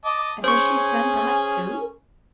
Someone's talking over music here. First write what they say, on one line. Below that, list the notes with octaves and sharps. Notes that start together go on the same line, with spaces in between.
"And does she send that too?"
D#5 A5 D6
C#4 G#4 C5 G#5 C#6